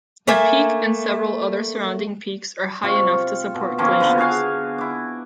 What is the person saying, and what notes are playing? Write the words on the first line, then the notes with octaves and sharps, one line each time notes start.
The peak and several other surrounding peaks are high enough to support glaciers.
A3 A#3 E5 G#5
C3 F4 C#6
B2
D#3 F3 A#3 C#4
D3 B3
F#4 G#4 F5 G#5
E4 D6